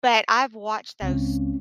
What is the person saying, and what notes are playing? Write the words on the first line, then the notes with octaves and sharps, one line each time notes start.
But I've watched those
C#2 C4 C#4